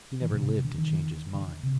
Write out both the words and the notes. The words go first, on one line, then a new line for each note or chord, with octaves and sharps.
He never lived to change his mind.
D#3
A#2
C3
C3
D3
D#3
D3
C3